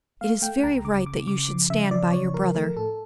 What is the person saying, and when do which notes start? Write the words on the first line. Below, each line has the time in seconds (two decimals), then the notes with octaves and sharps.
"It is very right that you should stand by your brother."
0.21 A3 F5
0.42 A3 G5
0.64 C#2 A#5
0.84 C#3 D6
1.06 C#3 D6
1.28 C#3 D6
1.48 F3
1.70 C#3 E5
1.91 F3 D5
2.12 C#3 C#5
2.33 F3 A#4
2.55 A3 A#4
2.76 A2 A4